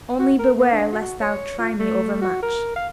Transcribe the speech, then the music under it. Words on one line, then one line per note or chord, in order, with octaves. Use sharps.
Only beware lest thou try me overmuch.
F#4
A#4
A#3
D4
F#4
C#5
F4
A3
F#4
A#4
F5